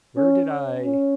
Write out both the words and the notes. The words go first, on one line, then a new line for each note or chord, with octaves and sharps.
Where did I?
C#4
C#4